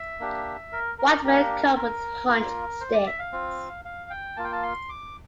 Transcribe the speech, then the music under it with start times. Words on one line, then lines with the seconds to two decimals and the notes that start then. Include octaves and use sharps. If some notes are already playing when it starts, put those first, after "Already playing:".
White men come with hunt sticks.
Already playing: E5
0.20 A#3 D4 G4
0.72 A#4
0.98 A#4
1.24 A#3 D4 G4 A#4
1.76 A#4
2.28 A#3 F4 A#4
2.81 C5
2.93 D5
3.07 E5
3.19 F5
3.32 C4 F4
3.85 F5
4.10 G5
4.37 A#3 F4 A5
4.44 G5
4.52 A5
4.63 C6
4.89 D6